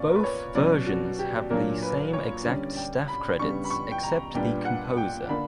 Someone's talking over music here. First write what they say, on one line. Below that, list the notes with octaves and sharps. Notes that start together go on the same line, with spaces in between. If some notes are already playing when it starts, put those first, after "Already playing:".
Both versions have the same exact staff credits except the composer.
Already playing: A#2 A#3 C#4 D5 C#6
A#4
B4
C#5
B2 F#3 C#4 D5
F#4
G4
A#2 F#3 A#3 D4 A#4
B4
C#5
D3 G3 C#4 D5
G5
B5
C#3 G3 B3 D4 C#6
B5
C#6
G5
A#5
A#2 G3 B3 D4 G5
F#5
G5
D3 A#3 D4 B5